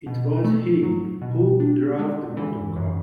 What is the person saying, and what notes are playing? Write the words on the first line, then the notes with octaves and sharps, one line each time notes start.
It was he who drove the motor-car!
B2
A3
F#3
B2
D4
G#3
E3
F#2